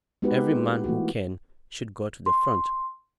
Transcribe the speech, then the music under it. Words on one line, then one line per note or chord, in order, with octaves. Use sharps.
"Every man who can, should go to the Front."
G#3 B3 D#4 F#4 G4 B4
E3 A3 A#3 F#4
C6